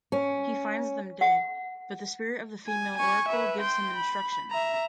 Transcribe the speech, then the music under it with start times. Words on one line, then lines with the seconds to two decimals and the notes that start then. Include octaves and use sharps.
He finds them dead, but the spirit of the female Oracle gives him instruction.
0.12 C#4
1.21 F#5
2.68 G#5
2.98 G#5 C#6
3.29 B4 E5
3.61 G5 C6
3.96 B5
4.51 E5 A#5